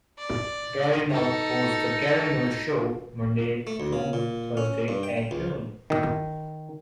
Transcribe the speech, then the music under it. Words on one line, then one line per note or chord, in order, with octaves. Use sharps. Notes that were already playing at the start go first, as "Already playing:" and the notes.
"Gary Null" hosts the Gary Null Show, Monday through Thursday at noon.
D5
D#4 A4
A3
D2
C#3
A#2
C#4
G2
G5
C#2
D#3